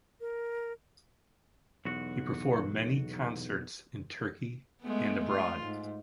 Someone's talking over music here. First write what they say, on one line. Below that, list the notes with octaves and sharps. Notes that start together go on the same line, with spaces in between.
He performed many concerts in Turkey and abroad.
A#4
B1 E2 F#4
G#3 A3 B3
F4
G#2